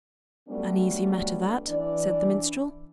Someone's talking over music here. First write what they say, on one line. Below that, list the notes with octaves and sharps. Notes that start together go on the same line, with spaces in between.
"An easy matter that," said the minstrel.
F#3 G3 A3 B3 C#4 D4
E3 D4 D5